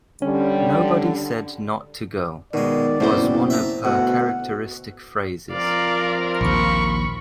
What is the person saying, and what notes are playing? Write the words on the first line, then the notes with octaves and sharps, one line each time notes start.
"Nobody said not to go" was one of her characteristic phrases.
D3 G3 C#4
B2 D#3 G#3 D5
F#1 B2 C4 E4 C5
E5 A5 A#5
D2 B2 F#5
F3 C4 A#4 D5 F5
A#1 D#2 B5 C#6